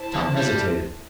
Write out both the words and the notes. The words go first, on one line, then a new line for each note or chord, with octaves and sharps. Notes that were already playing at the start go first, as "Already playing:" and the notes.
Tom hesitated.
Already playing: E4 C5 A5
D3
G3